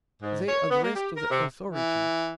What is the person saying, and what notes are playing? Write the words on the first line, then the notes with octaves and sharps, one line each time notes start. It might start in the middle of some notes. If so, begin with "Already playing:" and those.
They addressed to the authorities.
G#2
C#5
B3
A#3
G4
A#4
C3
E3